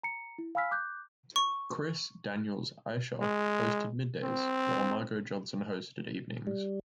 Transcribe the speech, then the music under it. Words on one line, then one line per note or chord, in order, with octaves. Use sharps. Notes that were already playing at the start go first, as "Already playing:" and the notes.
Chris "Daniels" Eicher hosted middays, while Margo Johnson hosted evenings.
A#5 C#7
E4
F5 G#5 B5 E6 F6 B6
D6 F#6 G6
C#6
G#3
C4
G3